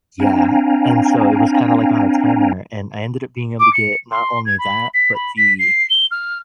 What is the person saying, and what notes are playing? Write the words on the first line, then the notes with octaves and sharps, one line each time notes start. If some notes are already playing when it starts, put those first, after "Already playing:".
Y eah, and so it was kinda like on a timer, and I ended up being able to get not only that, but the,
C4 D4 F5 G5 G#5 A#5
D6
C#7
C6
G#6
B5
B6
B5
B6
C7
G7
F6